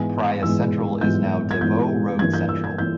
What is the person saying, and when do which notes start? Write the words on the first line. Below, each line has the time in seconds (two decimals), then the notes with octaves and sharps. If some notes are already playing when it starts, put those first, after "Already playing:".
Praya central is now Des Voeux Road Central.
Already playing: G#2 E3 G#3 B3 G#5
0.42 G#2 E3 G#3 B3 E6
1.01 G#2 E3 G#3 B3 G6
1.51 G#6
1.61 G#2 E3 G#3 B3 G6
2.19 G2 E3 A#3 G#6
2.34 G6
2.49 E6
2.64 G#6
2.78 E3 A#3 G6